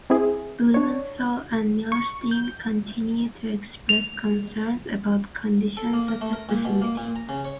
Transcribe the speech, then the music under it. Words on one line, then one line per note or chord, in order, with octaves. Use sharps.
Blumenthal and Milstein continued to express concerns about conditions at the facility.
C4 E4 G#4
D4 C#5
C#6
G6
F7
A4
A#3
A#4
A3
A#4
A#2
B2
A#3
A#2
A#5
C#3
C#5